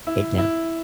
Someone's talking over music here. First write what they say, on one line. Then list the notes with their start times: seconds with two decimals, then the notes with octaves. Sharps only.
It does.
0.07 E4
0.38 E4